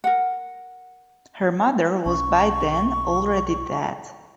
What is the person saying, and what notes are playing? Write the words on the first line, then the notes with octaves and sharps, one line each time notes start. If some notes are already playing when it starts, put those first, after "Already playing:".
Her mother was by then already dead.
A#4 F#5
B1 C#4 C#6